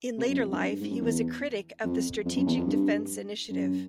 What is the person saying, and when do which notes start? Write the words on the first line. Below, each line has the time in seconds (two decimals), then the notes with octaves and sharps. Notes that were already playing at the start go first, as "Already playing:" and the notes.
In later life he was a critic of the Strategic Defense Initiative.
0.18 C3
0.29 F#2
0.38 F2
0.52 G2
0.60 F#2
0.70 G2
0.80 G#2
0.91 F#2
1.01 E2
1.84 F2
2.25 F2
2.36 F#2
2.46 E2
2.57 F2
2.67 G2
3.50 F#2